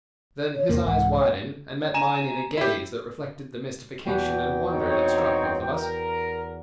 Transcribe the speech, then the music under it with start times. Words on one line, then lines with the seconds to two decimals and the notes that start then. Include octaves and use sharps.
Then his eyes widened and met mine in a gaze that reflected the mystification and wonder that struck both of us.
0.54 C#5
0.69 E2 C3 A#3 A#4
0.86 C2 G#2 E3 F#5
1.15 C#5
1.94 G#5 A#5 E7
2.57 E4 G4
4.06 E2 B2 B4 G5
4.70 C4 D#4 C#5
5.15 A#5 E6
5.72 A#4